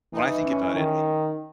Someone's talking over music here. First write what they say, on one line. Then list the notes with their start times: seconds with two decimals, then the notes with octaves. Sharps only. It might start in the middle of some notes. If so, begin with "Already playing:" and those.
when I think about it, uh y you
0.14 E3 D#4
0.45 C#4
0.76 D#3